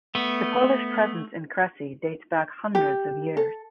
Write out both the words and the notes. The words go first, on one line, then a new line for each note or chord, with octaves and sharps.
The Polish presence in Kresy dates back hundreds of years.
A3 B3
G4
A4